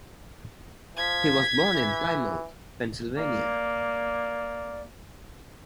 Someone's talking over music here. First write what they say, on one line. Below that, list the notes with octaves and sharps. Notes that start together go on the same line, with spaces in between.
He was born in Plymouth, Pennsylvania.
F3 G#6 B6
E3
A#3 D5